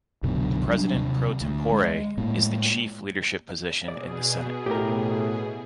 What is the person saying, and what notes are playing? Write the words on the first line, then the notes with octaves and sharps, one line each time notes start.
The President pro tempore is the chief leadership position in the Senate.
C2 F#2 B2 D3
F#3 G3 D4
D#2 C3
D2
G#3
A2 G#3 A#3
B2 G#4 D5
A2 G4 A#4